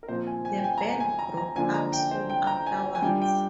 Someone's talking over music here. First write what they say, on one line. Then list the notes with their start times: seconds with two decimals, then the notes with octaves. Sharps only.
The band broke up soon afterwards.
0.03 A#4
0.09 A#2 F3 C4 F4 C5
0.27 G#5
0.45 G#5
0.58 G5
0.64 G#5
0.78 A#5
0.82 G#5
1.00 G#5
1.19 A#5
1.37 A#5
1.56 D3 F3 A#3 D4 F4 G#5
1.74 A#5
1.93 G5
2.11 C5
2.30 G5
2.47 A#5
2.66 G#5
2.95 G#5
3.02 G3 D4 F4 G5
3.22 G5